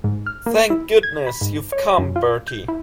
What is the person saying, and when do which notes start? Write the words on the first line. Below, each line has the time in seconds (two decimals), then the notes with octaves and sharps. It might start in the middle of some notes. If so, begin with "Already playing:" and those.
Thank goodness you've come, Bertie.
0.04 G#2
0.26 F6
0.46 A#3
0.70 E4
1.03 G#6
1.27 B5
1.41 G#2
1.72 C#5
1.98 F#2
2.16 F4
2.48 G6
2.68 E4